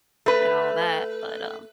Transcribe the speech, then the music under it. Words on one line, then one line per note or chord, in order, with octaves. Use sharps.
and all that, but, um
A3 B4